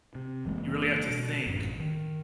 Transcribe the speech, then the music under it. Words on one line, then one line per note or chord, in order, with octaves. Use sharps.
you really have to think,
C3
F#1 E3 G#3 A#3
B2
A1 F#2
D#3